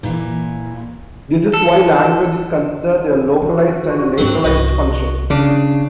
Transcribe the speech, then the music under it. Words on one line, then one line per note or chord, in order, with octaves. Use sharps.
This is why language is considered a localized and lateralized function.
A#2 E3
A4
D#3 F#4
G#2 F#3 C4 F4
C2 B4 D#5
C#3 D4 E4